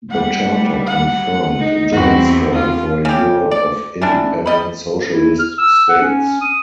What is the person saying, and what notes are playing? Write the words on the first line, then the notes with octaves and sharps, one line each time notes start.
The Charter confirmed a joint struggle for a Europe of independent socialist states.
G3 F#5
F#5
D#4
E2 C4 F#4
F4
C#3 G4
D5
E3 G3 D4
G3 D#5 B5
E4
F6
E6
F#5
C#4
D#6